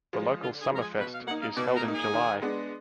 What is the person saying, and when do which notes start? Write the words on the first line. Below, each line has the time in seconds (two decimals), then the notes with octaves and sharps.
The local Summerfest, is held in July.
0.13 F3 G#3
0.42 D3 F4
0.61 G#4
0.71 F3 G#3 A#4
0.80 G#4
0.99 B2 B4
1.14 F5
1.27 A#3 F#5
1.31 D#4
1.42 F5
1.56 B2 D5
1.75 A#4
1.84 A#3 D#4
1.94 G#4
2.13 D#3
2.42 G#3 B3 D4